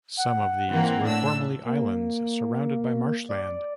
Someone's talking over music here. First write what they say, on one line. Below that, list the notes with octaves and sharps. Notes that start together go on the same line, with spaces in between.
Some of these were formerly islands surrounded by marshland.
F#5
E3 A#3 C4
A2 D4 E6
A#3
D5